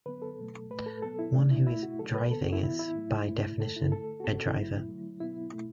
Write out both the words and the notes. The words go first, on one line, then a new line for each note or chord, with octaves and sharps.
One who is "driving" is, by definition, a "driver".
D3 F#3 B3 B4
A4
B2 F#3 A3
A2 A3 B4
A4
B2 F#3 B3 A4
E4
A2 E3 A3 D4
E4
B2 A3 E4
F#4
D3 F#3 A3 A4
B4
D3 B3 A4
F#4
E4
A2 E3 B3 E4
E4
A2 F#3 A3
A2 A3
D3 A3 A4
E4
D3 A3 A4
F#4
B2 B3 A4
F#4
E4
B2 F#3 A3
D3 F#3 A3
B2 F#3 B3 E4
B2 A3